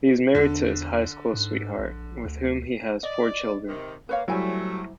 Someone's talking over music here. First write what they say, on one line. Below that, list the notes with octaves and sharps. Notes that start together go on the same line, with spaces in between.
He is married to his high school sweetheart, with whom he has four children.
E2 D3
G#2
A#1
D2
D5 D#5
C3 D#3
A#3 B4 C#5 F5
A2 F#3 G3 A3 E4 C5 G#5